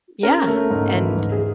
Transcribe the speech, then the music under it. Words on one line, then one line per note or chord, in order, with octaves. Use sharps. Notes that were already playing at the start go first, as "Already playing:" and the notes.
yeah, and
C#4 A#4
A3
G#2
E3
G#2
G#4